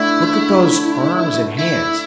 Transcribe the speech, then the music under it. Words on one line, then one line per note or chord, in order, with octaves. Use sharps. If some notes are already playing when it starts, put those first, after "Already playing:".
Look at those arms and hands!
Already playing: D3 A3 E4
E4